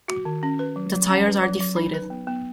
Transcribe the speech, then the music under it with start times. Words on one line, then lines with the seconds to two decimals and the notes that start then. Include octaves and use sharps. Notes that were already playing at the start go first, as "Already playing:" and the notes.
The tires are Deflated.
0.08 F#4
0.25 D#3
0.43 C#4
0.59 B4
0.76 F#3
0.92 F#3
1.09 C#4
1.27 B4
1.43 F#3
1.61 F#3
1.76 D#4
1.94 B4
2.10 B3
2.27 B3